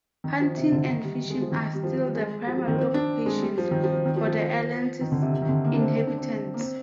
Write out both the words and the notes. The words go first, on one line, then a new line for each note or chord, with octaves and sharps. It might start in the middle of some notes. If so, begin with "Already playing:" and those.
Hunting and fishing are still the primary occupations for the island's inhabitants.
D#3
F3
C3
D3
D#3
G3
G3
G#3
F3
D#3
G3
F3
G3
G3
G#3
F3
F3
D#3
C4
D4
G#3
G3
F3
D#3
F3
D#3
F3
F3
D#3
D3
C3
C3
D#3
D3
A#3
D4
C4
C4
D4
C4
A#3
C4